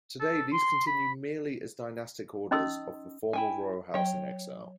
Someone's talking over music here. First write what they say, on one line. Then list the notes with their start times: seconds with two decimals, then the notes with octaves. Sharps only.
Today these continue merely as dynastic orders of the former Royal house in exile.
0.20 A4
0.52 C6
0.87 B5
2.51 C#4 D#4 D#5 C6 D#6 E6
3.33 E4 G5 G#5
3.94 F#3 C#5 D#5 G5